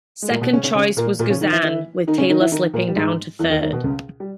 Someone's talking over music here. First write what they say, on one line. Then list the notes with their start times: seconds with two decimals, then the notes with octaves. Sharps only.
Second choice was Guzan with Taylor slipping down to third.
0.22 G#3
0.30 A#2 A#3
0.42 B2 B3
0.53 C#3 C#4
0.63 C#3 C#4
0.75 C#3 C#4
0.97 A#2 A#3
1.19 A#2 A#3
1.30 C#3 C#4
1.41 D#3 D#4
1.52 E3 E4
1.63 E3 E4
2.07 D#3 D#4
2.18 C#3 C#4
2.30 D#3 D#4
2.40 E3 E4
2.52 D#3 D#4
2.74 A#2 A#3
2.88 G3
2.95 G#2 G#3
3.39 E2 E3
3.50 D#2 D#3
3.61 D#2 D#3
3.73 B2
3.84 C#2 C#3
4.20 G3